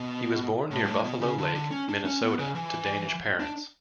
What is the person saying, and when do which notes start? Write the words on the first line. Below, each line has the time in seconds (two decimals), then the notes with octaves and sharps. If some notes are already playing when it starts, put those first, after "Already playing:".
He was born near Buffalo Lake, Minnesota to Danish parents.
Already playing: B2
0.71 A2
0.83 G2
0.87 A2
1.04 B2
1.21 C#3
1.38 D3
1.55 D3
1.71 C#4
1.89 D4
2.05 C#4
2.22 B3
2.39 C#3
2.55 E3
3.40 D4